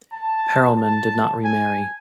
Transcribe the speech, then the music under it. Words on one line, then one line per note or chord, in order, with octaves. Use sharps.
Perelman did not remarry.
A5
A5
G#5